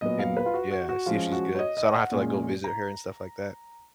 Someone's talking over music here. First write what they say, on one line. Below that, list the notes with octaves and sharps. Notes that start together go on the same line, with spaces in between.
and, yeah, see if she's good. So I don't have to, like, go visit her and stuff like that.
A#2 F#3 B3 D#5
F5
B4
F4
F#4
F#4
F#4
F3 G#3 C#4 F4
F#4
C#5
D#5
D#5
F#5
A#2 G#3 C#4
A#5